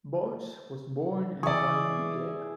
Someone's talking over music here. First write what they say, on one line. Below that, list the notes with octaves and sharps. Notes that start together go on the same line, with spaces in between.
Bartsch was born and died in Vienna.
E3 G#4 D5 E5 C#6